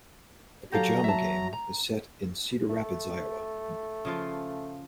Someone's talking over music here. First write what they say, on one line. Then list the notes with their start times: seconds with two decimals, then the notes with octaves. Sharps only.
"The Pajama Game" is set in Cedar Rapids, Iowa.
0.72 F#3 G4 A4 F5 A#5
1.04 E5 A5
1.53 A#5
2.70 A3
4.05 C#3 F3 F4